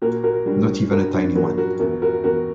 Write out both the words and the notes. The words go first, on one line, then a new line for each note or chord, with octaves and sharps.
Not even a tiny one.
A#2 F#4 A#4
F#4 A#4
G3 D4 F#4
G2 F#4 A#4
D4 F#4
F#3 F#4 A#4
F#4 A#4
E2 F#4 A#4
F#4 A#4
E2 F#4 A#4